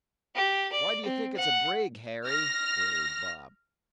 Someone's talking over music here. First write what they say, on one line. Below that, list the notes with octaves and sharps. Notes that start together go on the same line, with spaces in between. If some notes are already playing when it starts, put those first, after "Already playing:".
"Why d'ye think it's a brig, Harry?" queried Bob.
G4
D5
C4
F#5
F6 A#6